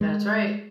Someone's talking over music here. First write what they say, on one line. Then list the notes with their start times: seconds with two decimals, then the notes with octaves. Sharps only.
That's right.
0.01 G#3